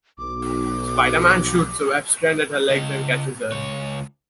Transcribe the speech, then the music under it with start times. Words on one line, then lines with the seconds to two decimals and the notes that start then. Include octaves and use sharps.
Spider-Man shoots a web strand at her legs and catches her.
0.18 B1 D6
2.69 C#3 D#5
3.52 C#2 C#5